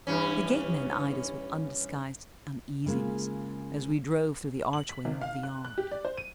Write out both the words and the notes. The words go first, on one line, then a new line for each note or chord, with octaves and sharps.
The gateman eyed us with undisguised uneasiness as we drove through the archway into the yard.
G2 E3 C#4
C#3 G#3 A#3 F4
F#7
B6
G#1
F5
F#6
F#6
G4
D5
C5
D#7